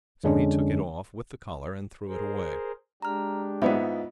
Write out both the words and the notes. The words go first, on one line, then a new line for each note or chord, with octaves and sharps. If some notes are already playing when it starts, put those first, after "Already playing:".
So he took it off with the collar and threw it away.
F2 D3 G#3 C#4 D4
G#4 A#4 C5
G#3 D4 G4 A#5 F6
G#2 B3 E4 F4 D#5 F5